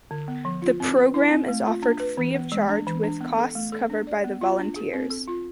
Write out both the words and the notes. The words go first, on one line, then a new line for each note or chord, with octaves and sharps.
The program is offered free of charge with costs covered by the volunteers.
D3
B3
F3
F4
C4
B4
E4
C4
A3
F4
D4
B4
E3
B3
G#3
D4
E3
D4
B3
A4
A3
A4
D4
D5
B3
F4
D4
G#4
C4
A4
F4